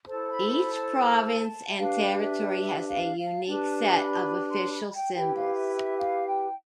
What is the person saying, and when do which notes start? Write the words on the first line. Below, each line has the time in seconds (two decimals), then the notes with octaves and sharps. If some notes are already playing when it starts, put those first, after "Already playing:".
Each province and territory has a unique set of official symbols.
0.07 E4 A4 C5 A5
0.28 B5
0.50 B5
0.71 A5
1.69 E5
1.76 D4 G4 B4 F5
2.19 E5
2.60 E5
2.88 F5
3.17 F5
3.44 D4 G4 B4 A5
3.87 B5
4.50 C6
4.71 B5
4.92 G5
5.12 E4 G4 B4 G5
5.34 F5
5.55 E5
5.76 E5
5.98 F5
6.25 G5